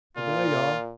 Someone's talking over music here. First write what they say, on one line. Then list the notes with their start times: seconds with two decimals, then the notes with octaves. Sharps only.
But there ye are!
0.17 A#2 F4